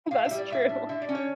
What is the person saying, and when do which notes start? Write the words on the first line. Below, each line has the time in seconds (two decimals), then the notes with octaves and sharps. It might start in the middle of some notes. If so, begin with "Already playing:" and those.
That's true.
0.11 A2 F5
0.25 E5
0.31 G3
0.38 D5
0.50 A2 E5
0.69 D4
0.89 D3 E5
1.02 D5
1.09 C#4
1.15 C#5